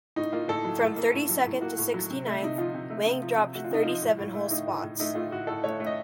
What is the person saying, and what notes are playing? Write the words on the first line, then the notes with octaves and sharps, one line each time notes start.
From thirty-second to sixty-ninth, Wang dropped thirty-seven whole spots.
A2 D#4
A#3 F4
A2 A4
F#3
A2
A#3
A2
F#3
A2
A#3 F#4
A2
F#3
C3
A3
C3 D#4
F3 F4
C3
A3
C3
F3
C3
A3 F#4
F4
C3 D#4
F3 F4
A2
A2
A3
A3 D#4
A2
A2
A3 D#4
A3 F4
A2 F#4
A2 A4
A3 C#5
A3
D#5